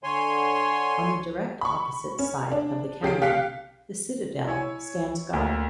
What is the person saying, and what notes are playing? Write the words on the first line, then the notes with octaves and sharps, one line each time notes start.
On the direct opposite side of the canyon The Citadel stands guard.
D3 C#5 G#5 C6
B5 C#6
C#4
D4
C#3 G4 C7 D7
G4 F5 F#6 B6 C#7
E4 C#5 G#5
D2 A#3